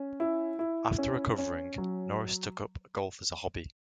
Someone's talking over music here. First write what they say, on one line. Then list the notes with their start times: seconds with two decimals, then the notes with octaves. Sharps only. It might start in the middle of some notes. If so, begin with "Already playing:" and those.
After recovering, Norris took up golf as a hobby.
Already playing: C#4
0.20 E4
0.59 E4
0.98 C#4
1.38 C#4
1.78 F#3